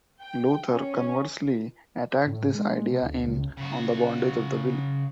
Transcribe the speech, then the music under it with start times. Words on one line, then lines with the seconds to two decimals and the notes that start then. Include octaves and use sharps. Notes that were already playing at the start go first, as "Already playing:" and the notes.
Luther, conversely, attacked this idea in "On the Bondage of the Will".
0.20 G5
0.71 C#4
2.27 A2
2.54 G#3
2.89 C3
3.02 D2
3.23 C#2
3.57 C#3 F#4